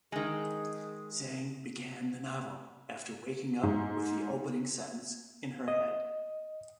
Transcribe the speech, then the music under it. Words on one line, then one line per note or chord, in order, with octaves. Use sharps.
Zhang began the novel after waking up with the opening sentence in her head.
D#3 G#3 G#4
G#2
D#5